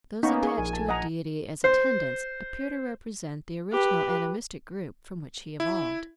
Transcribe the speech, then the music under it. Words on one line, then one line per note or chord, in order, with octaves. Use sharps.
Those attached to a deity as "attendants" appear to represent the original animistic group from which he evolved.
A#3 B3 C#4 D#4 A#5 C#6
G#4 C#6
A#1 A#4 G#5
A5
D#5 F#5 A#5
C5
G4 B4
E4